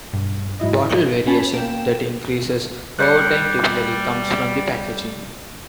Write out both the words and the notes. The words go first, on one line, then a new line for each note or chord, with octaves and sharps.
Bottle variation that increases over time typically comes from the packaging.
B1 G2
G#2 F#3 E4 D#5
B3 C#4 G#5 A5 B5
A#3 G5 E7
G3 F#6 G6 C#7